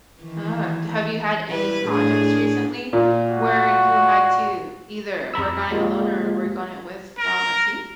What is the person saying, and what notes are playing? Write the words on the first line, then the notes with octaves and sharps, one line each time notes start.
Uh, have you had any projects recently where you had to either work on it alone or work on it with, um, a team?
D#3 E3
G3 E4 B4
A2 D4 G#4
A#2
F#4
F2 A#5 B5 E6
G#3 A#3 F4 G4
A#4